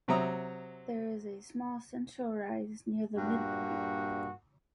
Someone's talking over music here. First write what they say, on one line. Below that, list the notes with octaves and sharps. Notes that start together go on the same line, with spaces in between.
There is a small central rise near the midpoint.
C3 F#3 C4 E5 A#5 D#6
G2 A#2 F#4